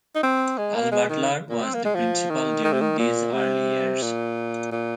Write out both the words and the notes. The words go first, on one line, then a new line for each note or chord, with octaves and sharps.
Hal Butler was the principal during these early years.
D#4
C4
G#3
A#3
G#3
D#3
A#2
C4
A#3
G#3
F3
D#3
D#3
C3
D#3
A#2
C3
A#2
A#2